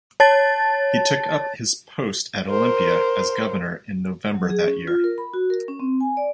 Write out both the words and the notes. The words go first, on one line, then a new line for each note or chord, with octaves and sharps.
He took up his post at Olympia as governor in November that year.
C#5 A5 A6
A#4 C5
F#3
G#4
C#4
F4
A#4
B5
F#4
A#4
C#4
C4
G#5
D5